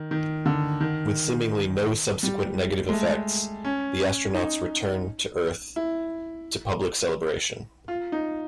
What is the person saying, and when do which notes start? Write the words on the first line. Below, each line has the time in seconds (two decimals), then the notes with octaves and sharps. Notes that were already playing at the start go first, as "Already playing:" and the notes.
With seemingly no subsequent negative effects, the astronauts return to Earth to public celebration.
Already playing: D#3
0.11 D#3
0.46 D3
0.80 D#3
2.23 G3
2.89 G#3
2.93 A3
3.65 C#4
4.35 D#4
5.76 E4
7.88 F4
8.12 D#4